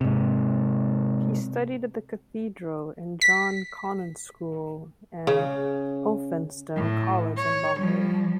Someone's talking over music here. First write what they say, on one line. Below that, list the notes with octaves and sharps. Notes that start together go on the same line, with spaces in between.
He studied at The Cathedral and John Connon School and Elphinstone College in Bombay.
G#2 C3
B6
C#3
A2
C#5
F3 G3